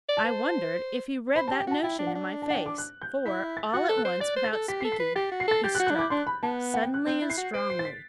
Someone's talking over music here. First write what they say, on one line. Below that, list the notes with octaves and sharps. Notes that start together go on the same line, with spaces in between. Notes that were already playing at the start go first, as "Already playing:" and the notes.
I wonder if he read that notion in my face; for, all at once, without speaking, he struck suddenly and strongly.
D5
A5
C5
C5 B5
A5
G4
G5
F#4 A5
E4 G5
D4
F#5
D4
A5
F#5
G5
D6
F#6
G6
E4 B6
A6
F#4 F#6
A4
F#6
C5
D5 A6
C5
A6
A4
G4 B6
C7
A4
C7
B4
G4 A6
F#4
C7
A4 A6
G4 G6
F#6
F#4
F#6
D4
E4 D6
D4 C6
B5
B3 A5
F#5
G5
F#6
C4 G6
E4
C7
F#4
C5 D7
C7
A6
B6